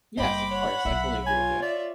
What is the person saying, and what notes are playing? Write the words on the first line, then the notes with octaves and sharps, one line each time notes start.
Yes, of course, I fully agree with you.
F#1 G3 C5 D#5 G5 B5 D6
C#5 F#5
B1 F#3 E5
F4 C#5 G#5
D5 E5